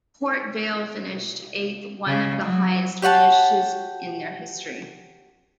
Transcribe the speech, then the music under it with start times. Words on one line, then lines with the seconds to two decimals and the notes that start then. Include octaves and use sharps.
Port Vale finished eighth - one of the highest finishes in their history.
2.07 C#3
2.43 F#3
3.02 G4 C#5 F#5 A5